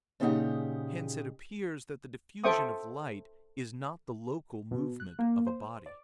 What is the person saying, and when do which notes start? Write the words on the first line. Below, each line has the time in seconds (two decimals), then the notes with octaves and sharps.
Hence it appears that the diffusion of light is not the local movement of a body.
0.20 A#2 C#3 D#4 G4 G#4 F#5
2.44 A4 C5 E5 G5 C#6 D#6
4.71 B2
5.00 F#6
5.19 A#3
5.47 C5
5.86 D5